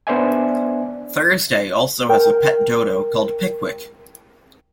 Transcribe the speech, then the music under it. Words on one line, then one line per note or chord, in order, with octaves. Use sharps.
Thursday also has a pet dodo called Pickwick.
B3 D4 C5 D5 E5 G#5
A#4 G5